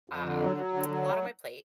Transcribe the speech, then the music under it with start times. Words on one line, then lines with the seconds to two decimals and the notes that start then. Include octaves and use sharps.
um, a lot on my plate.
0.10 F2
0.25 D3
0.41 F#3
0.57 F#3
0.73 D3
0.89 F#3